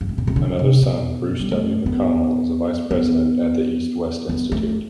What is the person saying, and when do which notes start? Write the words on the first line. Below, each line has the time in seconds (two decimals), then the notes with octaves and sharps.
Another son, Bruce W. McConnell, is a vice president at the EastWest Institute.
0.01 G2
0.09 A2
0.18 B2
0.27 C3
0.36 D3
0.59 C3
0.82 B2
1.40 G3
1.51 A3
1.86 B3
2.91 B3
4.29 B3
4.52 A3